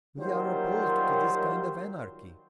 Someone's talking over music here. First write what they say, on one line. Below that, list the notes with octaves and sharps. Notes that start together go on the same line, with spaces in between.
"We are opposed to this kind of anarchy...."
D#3 F#3 G3 A#3 F4 C5